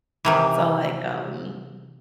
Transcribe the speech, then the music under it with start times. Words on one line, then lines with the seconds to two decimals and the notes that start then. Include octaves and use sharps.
So, like, um
0.25 C3 D#3 E3